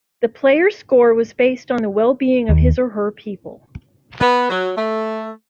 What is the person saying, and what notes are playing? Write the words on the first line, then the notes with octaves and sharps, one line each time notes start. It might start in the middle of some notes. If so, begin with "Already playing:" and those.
The player's score was based on the well-being of his or her people.
D#2
B3
F#3
A3